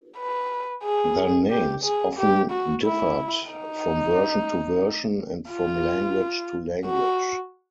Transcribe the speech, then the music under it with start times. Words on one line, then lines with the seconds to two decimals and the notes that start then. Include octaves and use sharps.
Their names often differed from version to version and from language to language.
0.18 B4
0.84 G#4
1.51 G4
1.84 G#4
2.18 G4
2.51 F#4
2.85 E4
3.52 D#4
5.52 F4
6.85 F#4